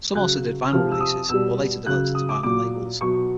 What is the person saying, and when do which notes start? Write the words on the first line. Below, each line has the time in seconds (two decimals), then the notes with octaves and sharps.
Some also did vinyl releases, or later developed into vinyl labels.
0.15 C#3 F#3 F#6
0.72 C3 F3 F6
0.91 E6
1.00 D#6
1.29 B2 G3 E6
1.86 C#3 F#3 F#6
2.15 D#6
2.29 D6
2.43 A#2 F#3 D6
3.01 B2 F#3 C#6